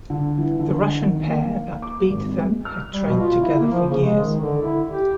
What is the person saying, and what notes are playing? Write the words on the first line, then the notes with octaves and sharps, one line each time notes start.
The Russian pair that beat them had trained together for years.
D3
E3
D3
D#3
A#3
D6
G#1
G#3
F6
G3
B2
F4
E4
A#3
F3
C#3
G#3
D#3
D3
E4
G4